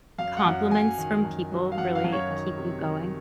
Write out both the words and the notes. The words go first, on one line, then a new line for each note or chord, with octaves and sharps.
compliments from people really keep you going?
F#2 F5
F#5
F#2
F#2 G#5
D#3
F#2
F#3
F5
F#2 F#5
F5
F#2
C#5
D#3
C3
D#3